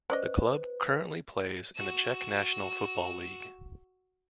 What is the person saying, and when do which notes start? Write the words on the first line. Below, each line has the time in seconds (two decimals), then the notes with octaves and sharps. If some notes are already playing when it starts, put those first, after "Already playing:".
The club currently plays in the Czech National Football League.
0.10 C#4 B4 C5 D5 D#5
1.75 F#4 E6